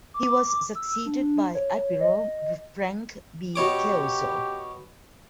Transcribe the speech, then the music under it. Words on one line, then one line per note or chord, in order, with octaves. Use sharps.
He was succeeded by Admiral Frank B. Kelso.
D6
E6
D4
C#5
D#5
B2 G4 C#5 D6